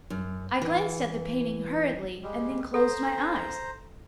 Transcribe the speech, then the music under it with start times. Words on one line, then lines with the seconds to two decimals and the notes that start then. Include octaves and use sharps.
I glanced at the painting hurriedly, and then closed my eyes.
0.10 F#2
0.62 E3
2.23 G3 G#3
2.74 A4 C5 A#5